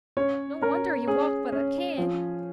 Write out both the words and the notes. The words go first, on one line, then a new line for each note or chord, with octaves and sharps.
No wonder he walked with a cane!
C#4 C#5
C#4 A#4
C#4 G#4
C#4
F3